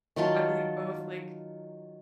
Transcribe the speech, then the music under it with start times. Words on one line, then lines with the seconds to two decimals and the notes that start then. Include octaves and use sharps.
I believe both, like,
0.16 D#3 F#3 F4 A5